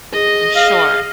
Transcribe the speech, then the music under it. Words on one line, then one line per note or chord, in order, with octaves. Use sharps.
I'm sure.
G#4 D#5
F5